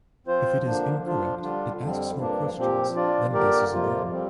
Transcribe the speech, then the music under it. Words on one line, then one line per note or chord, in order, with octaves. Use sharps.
If it is incorrect, it asks more questions, then guesses again.
F3 C4 F4 C5
D3 F3 A#3 D4
F3 D4 F4
D3 G3 D4 F4
F2 D3 G3 C4
G2 F3 A#3 D4
A#2 F3 C4 G4
F3 D4 F4 D5
D3 A#3 G4 A#4 D5
F2 C3 F3 A#3 F4
G3 C4